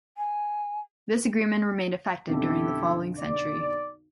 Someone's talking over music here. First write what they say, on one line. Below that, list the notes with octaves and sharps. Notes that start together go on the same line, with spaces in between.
This agreement remained effective during the following century.
G#5
B1 F2 D3 E4 G4 A4
D5